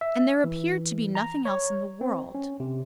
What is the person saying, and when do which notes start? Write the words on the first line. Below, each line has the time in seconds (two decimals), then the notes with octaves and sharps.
And there appeared to be nothing else in the world.
0.01 E5
0.44 E3
1.15 A#5
1.45 C#5
2.01 C4
2.35 C#4
2.60 C3